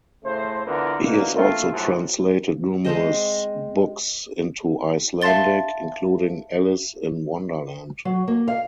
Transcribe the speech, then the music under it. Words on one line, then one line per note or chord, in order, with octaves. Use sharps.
He has also translated numerous books into Icelandic, including Alice in Wonderland.
A2 C#3 A3 C5
D3 E3 B3 F4 A#4
B2 D3 E3 A#3
F3 A3 A#3 C4 F4
F#2 A2 C3 F3
G#3 C4 C5 D#5
E5 F5 A5 C6 A6 G7
F#3
A#3
F5